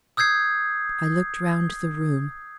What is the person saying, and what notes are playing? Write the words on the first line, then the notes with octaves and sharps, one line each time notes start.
I looked round the room.
D#6 E6 G6 G#6 C7